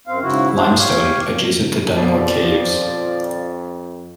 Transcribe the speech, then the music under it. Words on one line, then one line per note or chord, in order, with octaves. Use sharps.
Limestone, adjacent to Dunmore Caves.
F#2 C4 F5
G#2 C#3 E4 F#4
A#3 D4 G#4 C5
G4 C#5 F5
F2 B2 F3 D5